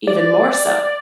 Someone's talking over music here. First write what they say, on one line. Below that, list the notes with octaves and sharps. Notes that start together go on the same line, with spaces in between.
Even more so.
D5